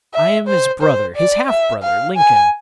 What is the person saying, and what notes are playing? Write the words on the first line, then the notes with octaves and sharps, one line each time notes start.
I am his brother--his half-brother, Lincoln.
E5
C5
C5
D5
E5
F5
G#5